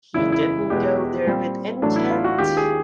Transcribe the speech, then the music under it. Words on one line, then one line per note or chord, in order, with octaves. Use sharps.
He didn't go there with intent.
F#1 E2 C#3 E3 G#3 E4
E4
E2 B2 G#3 B3 G4
A#2 G3 C4
A1 A2 F#3 A3 D4
E4
F4
F#4
D#2 D#3 G#3 C#4 F4 G4
G#4